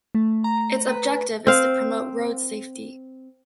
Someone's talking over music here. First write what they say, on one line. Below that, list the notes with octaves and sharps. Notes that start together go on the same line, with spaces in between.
Its objective is to promote road safety.
A3
A#5
B4
C4 F5